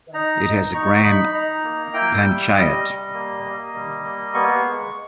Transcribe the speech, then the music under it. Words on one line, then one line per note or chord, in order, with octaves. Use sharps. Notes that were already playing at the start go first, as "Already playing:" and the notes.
It has a Gram Panchayat.
D#4 A#5
D#4
D#4 C#6
C#6
D#4 B5
B5
D#4 A#5
A#3
E4 G5
G3
G3 D#5
G3
A#3
A#3
G3
A#3
B3 C#6
G#3